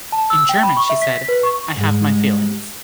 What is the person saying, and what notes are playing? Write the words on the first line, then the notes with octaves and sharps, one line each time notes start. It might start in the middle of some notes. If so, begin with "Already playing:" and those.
In German she said: 'I have my feelings'.
A5
E6
G5
B5
C#6
E5
B6
B6
B4
C#6
G#2 G3 G#3